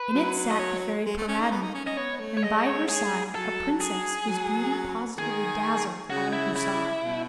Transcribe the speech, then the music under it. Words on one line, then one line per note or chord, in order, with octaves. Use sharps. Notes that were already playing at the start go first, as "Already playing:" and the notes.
In it sat the Fairy Paridamie, and by her side a Princess whose beauty positively dazzled all who saw her.
Already playing: B4
F#3
D#5
C#5
G#3
A3
C#4
D#4
B3
D#4
C#4
C#4 D#5
B3 C#5
A3
C#5
G#3 D#5
D#5
C#5
G#4
F#3 A4
G#4
F#3
D#3 G#4
C#3 F#4
E4
E4
B2